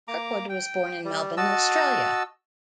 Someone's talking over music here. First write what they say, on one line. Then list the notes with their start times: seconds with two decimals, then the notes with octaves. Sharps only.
Kirkwood was born in Melbourne, Australia.
0.08 A#3 A#5 D6
0.49 G5
1.04 G3
1.37 F#4 D#5 A5 E6